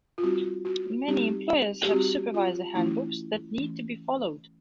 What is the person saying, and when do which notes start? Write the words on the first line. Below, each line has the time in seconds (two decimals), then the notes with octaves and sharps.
Many employers have supervisor handbooks that need to be followed.
0.18 F4
0.23 G3 C4 D#4 F#4
0.65 F#4
1.08 G3 C4 D#4 G4
1.85 G4
1.91 G3 C4 D#4 F#4
2.34 F4
2.75 E3 A3 C#4 E4
3.59 E3 A3 C#4